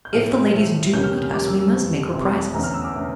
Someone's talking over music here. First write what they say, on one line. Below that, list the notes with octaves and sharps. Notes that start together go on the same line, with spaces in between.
"If the ladies do eat us we must make reprisals."
G6
A2 F3 A3 F6
A2 F3 A3
E2 C#3 G3 A#3 C#4 G6
F6
G6
F6
E2 C#3 G3 A#3 C#4 D6
E6
F2 E3 G3 C#6
F2 E3 G3
E2 D3 A3 C#4 A#5
F6
E6
D6
D3 A3 C#4